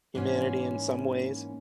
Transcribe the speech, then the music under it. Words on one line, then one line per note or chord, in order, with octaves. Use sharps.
humanity in some ways,
G#2 E3 A#3 C#4